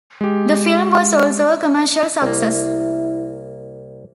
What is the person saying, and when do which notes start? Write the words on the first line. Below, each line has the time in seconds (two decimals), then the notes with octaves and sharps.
The film was also a commercial success.
0.21 G#3 G4
2.22 C2 A#3 E4